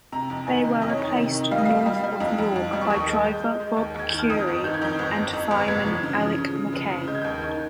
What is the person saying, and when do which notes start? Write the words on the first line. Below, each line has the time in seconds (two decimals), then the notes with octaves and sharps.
They were replaced north of York by driver Bob Currie and fireman Alec Mackay.
0.12 C3 A#5
0.30 F2
0.47 D#3 G#5
0.64 C3
0.81 F2 D#5
0.89 C#5
0.97 D#3 D#5
1.17 C3
1.34 D#3
1.51 G3 F5
1.58 D#5
1.66 G3 F5
1.86 G3
2.03 G3
2.20 F2
2.38 F2
2.56 F2
2.73 G3
2.81 C#6
2.90 D#2 D#6
3.08 G#3
3.25 G#3 G6
3.42 G#3
3.60 G#3
3.77 D#2
3.94 D#2
3.99 G#6
4.09 D#3 G6
4.19 F6
4.30 F2 D#6
4.47 G1
4.64 D#3 G6
4.74 G#6
4.82 F2 G6
4.99 G1
5.16 F2
5.33 F2
5.51 G1
5.68 F1 G#6
5.86 F3
6.03 C#3
6.21 F3
6.38 C#3
6.55 C#3
6.73 F1
6.90 C#3
7.07 G#3 G6
7.15 G#6
7.22 D#2 G6
7.42 D#3